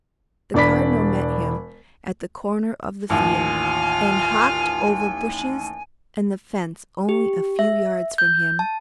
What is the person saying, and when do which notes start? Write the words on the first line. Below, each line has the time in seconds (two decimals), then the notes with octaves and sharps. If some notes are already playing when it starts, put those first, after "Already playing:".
The Cardinal met him at the corner of the field, and hopped over bushes and the fence only a few yards from him.
0.54 E1 D4 D5 B5 B6
3.10 A1 D#2 F4 G#5
7.09 G4
7.59 E5
8.18 G6
8.59 A5